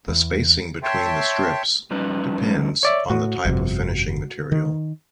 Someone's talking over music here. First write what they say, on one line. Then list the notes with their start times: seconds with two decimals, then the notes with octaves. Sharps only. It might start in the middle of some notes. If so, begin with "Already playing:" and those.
The spacing between the strips depends on the type of finishing material.
0.08 E2
0.83 C#5 E5 G5 A5 C6
1.91 F2 G3 C#4 D#4 B4
2.83 C#5 D5 E5
3.10 A2 F#4
3.45 G1 F2 C3
4.52 D#3